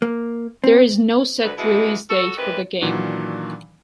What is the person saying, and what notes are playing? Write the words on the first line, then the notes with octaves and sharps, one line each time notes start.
There is no set release date for the game.
A#3
C4
D2 D3 B4
F#2 B2 E3 G#3 E4
F#4 A4
G#2 D#3 E3 C4 G4 B4
A#2 D#3 E3 F#3 D4 F#4